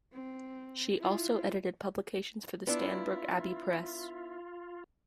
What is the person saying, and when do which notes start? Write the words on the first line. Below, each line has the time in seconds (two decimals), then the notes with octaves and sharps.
She also edited publications for the Stanbrook Abbey Press.
0.13 C4
0.99 E4 F4
2.67 B3 D4 E4 F4